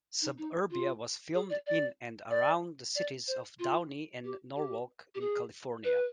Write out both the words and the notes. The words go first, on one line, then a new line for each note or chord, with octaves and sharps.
Suburbia was filmed in and around the cities of Downey and Norwalk in California.
D#4
D#4
F4
G#4
D5
D5
D5
D5
C5
F4
G4
G4
G4
G#4
B4